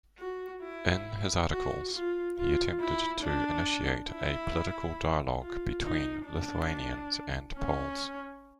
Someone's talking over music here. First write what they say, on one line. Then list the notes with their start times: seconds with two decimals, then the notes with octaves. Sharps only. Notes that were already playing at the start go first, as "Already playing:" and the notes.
In his articles, he attempted to initiate a political dialogue between Lithuanians and Poles.
0.19 F#4
0.63 E4
1.50 F#4
1.93 F4
2.37 F4
2.80 E4
3.23 D4
4.09 E4
5.40 F4
5.84 D#4
6.26 D4
7.57 C#4